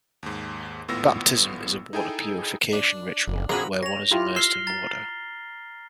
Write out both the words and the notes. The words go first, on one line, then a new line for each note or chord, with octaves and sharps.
Baptism is a water purification ritual where one is immersed in water.
D#2 G#2
G#1 A2 B3 F4 E6 A#6
D#4 E4 G#4 A4 G5 G#5
D4
F#1
A#1 C4 F#4 G#4 A#5 B5
C#5 A#6 F7
E4 F4 G4
E6 F6 C7 G7
A#5 A6